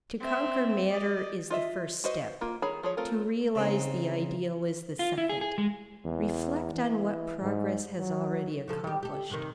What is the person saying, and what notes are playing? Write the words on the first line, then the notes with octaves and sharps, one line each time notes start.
To conquer matter is the first step; to realize the ideal is the second. Reflect on what progress has already accomplished.
C4 E5
D5 D#5
F4 D#5 E5
F#4 B4 C5 D#5
A#3 F4
D#3 G#4 C#5 A#5 B5
F3 G#4 C#5
A3 C4 F4 A#4
C#3 C4 D#4
F4
E4
G#4
G#4
G#3
E2
E3
G#2
F#3
C#3 F3 A4
G3 G4
G4 A4
G2 C3 D#3